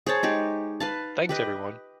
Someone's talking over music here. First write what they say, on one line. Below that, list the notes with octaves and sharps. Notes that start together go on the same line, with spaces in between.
Thanks everyone!
G#4 C5 C#5 A5
G#3 D#4 G4
B4 F5 A5
G4 B4 D#5